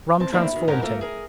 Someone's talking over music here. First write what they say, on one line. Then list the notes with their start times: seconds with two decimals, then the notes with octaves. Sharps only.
Rum transformed him.
0.20 C4 A5
0.32 D#3 A3 A#3 C4 D4 E4
0.53 B2 D#3
0.68 G#2 C#4 D#4 A#4 F#5 A5
0.82 A3 A#3 F4 A4 A#4
1.01 G#4 A#4